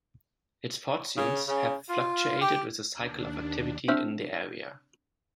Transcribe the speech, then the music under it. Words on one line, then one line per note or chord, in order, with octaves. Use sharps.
Its fortunes have fluctuated with the cycles of activity in the area.
C#3
C#3
F4
G4
D#2 D4
C4 D4 C5 E5 E6 F6